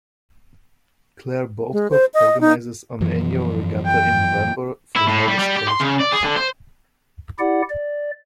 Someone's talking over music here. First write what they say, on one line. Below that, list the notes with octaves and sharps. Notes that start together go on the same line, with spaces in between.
Clare Boat Club organises an annual regatta in November for novice College crews.
G#3
C5
D#5
D#4
F#2 E3 F3
G5
E4
A2
G3
G3
G4
C6
C#3
D5
G#4
D3
C5
E4 G4 D5 F#5
D5